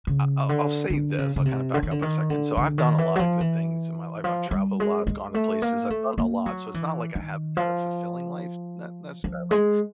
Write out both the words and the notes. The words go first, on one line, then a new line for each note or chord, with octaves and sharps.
I I I I'll I'll say this, I'll kinda back up a second. So, I've done a lotta good things in my life. I've traveled a lot, I've gone to places, I've done a lot, so it's not like I haven't had a fulfilling life, n necessarily,
C#3
D3
D3
C#3
C#3
C3
D3
D#3
D3
D#3
D3
D3
D#3
E3
F#3
F3
E3
F3
G3
G#3
G#3
A3
A#3
A3
A#3
F#3
E3
D#3
F3
F3
G#3